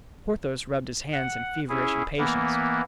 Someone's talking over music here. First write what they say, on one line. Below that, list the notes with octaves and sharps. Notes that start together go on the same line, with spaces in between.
Porthos rubbed his hands in feverish impatience.
F#5
C#4 E4 G#4
E3 A#3 B3